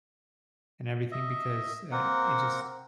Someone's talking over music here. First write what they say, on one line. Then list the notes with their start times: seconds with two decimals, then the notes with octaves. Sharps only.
and everything because, uh, it just
1.12 D#5 E5
1.92 A#3 C4 A#4 F#5